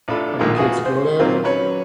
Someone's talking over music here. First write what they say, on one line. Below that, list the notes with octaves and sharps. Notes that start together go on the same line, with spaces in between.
like, the kids to go there,
A1 D4 F4 A4 B5
A#1 A#2 D#3 G#3 F4
F4 F#4 G#4 B4 D#6
C5
A#2 D#3 F#3 C4 F4 C5
F#3 C#4 B4 C#5